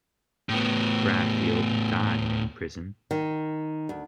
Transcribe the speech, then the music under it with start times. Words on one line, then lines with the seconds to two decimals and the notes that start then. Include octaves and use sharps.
Bradfield died in prison.
0.49 A2 B3
3.11 D#3
3.89 D2